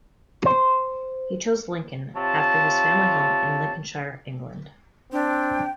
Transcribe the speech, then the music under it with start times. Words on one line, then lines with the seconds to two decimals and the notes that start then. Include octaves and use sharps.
He chose Lincoln, after his family home in Lincolnshire, England.
0.45 C5
2.15 C3 F4 C#5 A5
5.12 C4 D4 G5